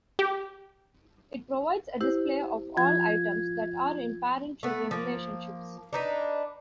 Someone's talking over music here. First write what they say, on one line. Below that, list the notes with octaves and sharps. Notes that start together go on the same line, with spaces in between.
It provides a display of all items that are in parent-children relationships.
G4
E4 G4 C5
F3 F4 G#6
A3 B3
F3 A#3
D4 D#4 B4